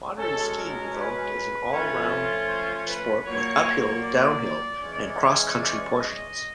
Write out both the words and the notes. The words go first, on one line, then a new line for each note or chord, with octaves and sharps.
Modern skiing developed as an all-round sport with uphill, downhill and cross-country portions.
B2 G#3 C#4 A4
A#4
B4
F3 A3 C#4 F4
C5
B4
A#2 F#3 A#3 C#5
D5
E3 G#3 C#4
D5
D#5